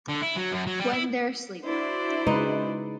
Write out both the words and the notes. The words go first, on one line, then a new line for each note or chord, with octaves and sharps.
When They're Asleep.
D3
E4
F#3
F#2
F#3
G3
E4
D4 E4 F#4 C5 D5
C#3 G#3 D#4 B4